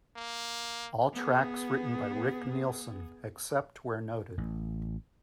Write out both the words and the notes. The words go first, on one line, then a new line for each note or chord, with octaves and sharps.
All tracks written by Rick Nielsen, except where noted.
A#3
B3 G#4
A1